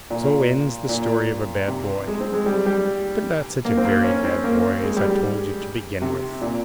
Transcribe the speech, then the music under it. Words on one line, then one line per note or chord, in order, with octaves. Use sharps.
So ends the Story of a Bad Boy--but not such a very bad boy, as I told you to begin with.
A#2
A#2
C3
G#3
C4
G#3
G3
G3
A#3
C4
A#3
C#4
C4
A#3
G#3
G3
G3
C3
A#2